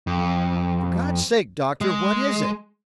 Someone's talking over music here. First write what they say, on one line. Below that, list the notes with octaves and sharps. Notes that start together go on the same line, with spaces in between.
"For God's sake, Doctor, what is it?"
F2
G#3